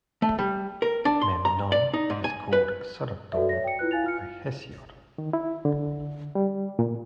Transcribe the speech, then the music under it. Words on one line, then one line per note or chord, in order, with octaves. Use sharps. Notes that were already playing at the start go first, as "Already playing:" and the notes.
Memnon is called "son of Dawn" by Hesiod.
A3
G3
A#4
D4
C6
A#5
D5
D#4
G#2
G#5
B4
F#4 A4 B4 D5 E5
C#5 E5 A#6
G5 C#7
E4 F4 B4 F#6
E4 F5 G#5 A6 F7
F4 F6 C#7
D#3
E4
D3
G3
A#2